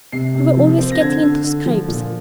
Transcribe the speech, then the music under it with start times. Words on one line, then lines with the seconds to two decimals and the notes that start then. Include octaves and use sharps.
You were always getting into scrapes.
0.12 C3 C7
0.35 C3
0.57 F3
0.78 C4
0.92 A#6
1.00 D3 G#6
1.22 D3
1.44 D3
1.66 F3
1.88 A#2